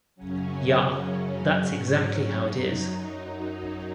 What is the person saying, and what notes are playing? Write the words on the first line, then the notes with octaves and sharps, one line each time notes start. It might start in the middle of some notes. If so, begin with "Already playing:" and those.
Ya that's exactly how it is.
F#2 C#3 F#3 C#4
C#4
F#2 C#3 F#3
G#2 F#3
F#2 F#3 D#4